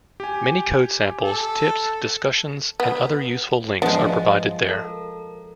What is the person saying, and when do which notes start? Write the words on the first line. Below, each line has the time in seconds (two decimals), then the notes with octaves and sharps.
Many code samples, tips, discussions and other useful links are provided there.
0.20 G4 G#5
1.23 A4
2.80 B3
3.82 F3 G#3 B3 D4 F#4
4.68 A4 A#4